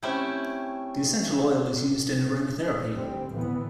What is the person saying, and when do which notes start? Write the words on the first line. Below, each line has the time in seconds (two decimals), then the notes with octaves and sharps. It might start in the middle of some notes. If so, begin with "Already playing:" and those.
The essential oil is used in aromatherapy.
0.03 A3 C4 C#4 E4 G4
2.93 D2 G3 C4
3.31 D2 A2 E3 B3